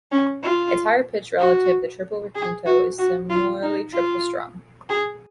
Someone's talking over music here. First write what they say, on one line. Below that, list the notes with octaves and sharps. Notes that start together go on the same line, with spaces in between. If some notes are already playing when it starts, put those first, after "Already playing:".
Its higher-pitched relative, the tiple requinto, is similarly triple-strung.
C#4
F4
F#4
G#4
F#4
F#4
F4
D#4
F4
G#4